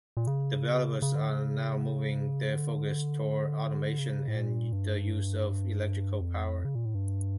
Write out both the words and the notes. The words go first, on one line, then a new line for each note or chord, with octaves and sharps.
Developers are now moving their focus toward automation and the use of electrical power.
A#2
C#3
C#3
D3
C#3
D3
C#3
A2
A#2
G2
F2
C#3
A#2
A2
G2